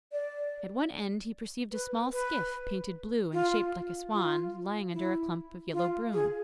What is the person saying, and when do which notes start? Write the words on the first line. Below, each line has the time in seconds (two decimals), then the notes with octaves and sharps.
At one end he perceived a small skiff, painted blue and shaped like a swan, lying under a clump of yellow broom.
0.12 D5
1.72 B4
2.12 B4
3.33 F4
4.13 F4
4.93 E4
5.73 F4
6.13 G#4